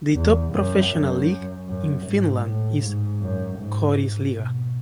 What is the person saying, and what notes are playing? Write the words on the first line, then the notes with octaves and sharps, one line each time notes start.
The top professional league in Finland is Korisliiga.
E2
F#2
F#2
F#2
G#2
A2
G#2
F#2
G#2
B2